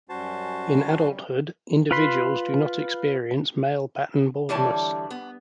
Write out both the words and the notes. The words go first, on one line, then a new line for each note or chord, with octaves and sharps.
In adulthood, individuals do not experience male-pattern baldness.
F#2 G3 C#4 F#4 C5 A5
F4 B4 B5 C6
D3 E3 G3 C#5 A5
B3